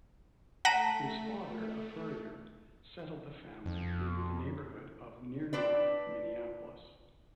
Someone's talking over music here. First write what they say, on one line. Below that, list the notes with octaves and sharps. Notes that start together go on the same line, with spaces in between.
His father, a furrier, settled the family in the neighborhood of Near North, Minneapolis.
A3 F#5 A5 A#5 A#6 B6
F2
C4 D4 B4 D5